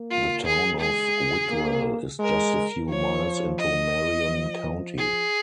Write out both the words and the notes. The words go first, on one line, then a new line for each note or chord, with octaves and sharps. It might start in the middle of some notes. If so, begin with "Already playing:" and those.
The town of Whitwell is just a few miles into Marion County.
Already playing: A#3
F4
G#4
G#3 G#4
A#3
G#3 A#4
F3 C#5
D#5
F3
G#4